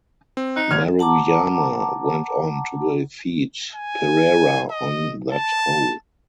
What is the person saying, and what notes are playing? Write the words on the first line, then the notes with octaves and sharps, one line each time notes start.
Maruyama went on to defeat Perera on that hole.
C4
D#4 F#6
G#1 F6 G#6 F7
F#5 A5 A#5 D6
G#5
D#5
A5